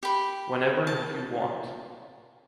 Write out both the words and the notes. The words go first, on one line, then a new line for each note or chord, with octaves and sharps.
Whenever you want.
G4 B5
A5